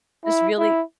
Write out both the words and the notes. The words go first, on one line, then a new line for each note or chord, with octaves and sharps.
just really
E4
E4